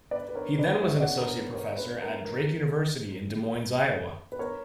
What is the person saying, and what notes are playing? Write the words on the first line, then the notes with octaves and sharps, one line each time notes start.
He then was an associate professor at Drake University in Des Moines, Iowa.
B4 D5
B4
A#4 C#5
B4 D5
C#5 E5
D5 F#5
A#4
B4
A#4 C#5
B4
A#4
A#4
B4
A#4 C#5